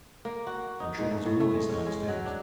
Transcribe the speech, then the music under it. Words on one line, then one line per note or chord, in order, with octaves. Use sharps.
I'm sure there's a noise downstairs.
A#3
F#4
D#4
G#2
A3
A2
A3
G#3
C#4
G#3
F#3
D4